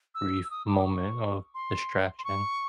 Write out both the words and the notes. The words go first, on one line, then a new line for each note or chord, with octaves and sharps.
brief moment of distraction.
E6
E6
D#6
D6
D6
C#6
C6
C6
C#6